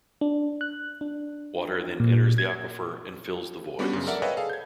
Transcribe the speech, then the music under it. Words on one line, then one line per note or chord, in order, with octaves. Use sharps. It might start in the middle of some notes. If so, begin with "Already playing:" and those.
Water then enters the aquifer and fills the voids.
D4
F#6
D4
A#2
G#6
G3 B3 C#4 D4 F#4 B4
F#2 C#3
A4 A#4 D5 E5 F#5
A4 B4 C#5 D#5 F5 G5
G#4 A4 F5
G6 G#6